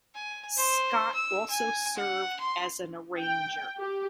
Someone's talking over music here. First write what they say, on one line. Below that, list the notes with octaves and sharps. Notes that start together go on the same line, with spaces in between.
Scott also served as an arranger.
G#5
C5
E6
G#5
F#5
C6
G5
G4